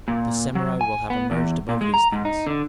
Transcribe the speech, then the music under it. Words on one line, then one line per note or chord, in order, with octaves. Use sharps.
The samurai will have emerged above these things.
A#2
F#3
G#5
B3
E2
A#2
G#3
A#5
G#2
D#4
D3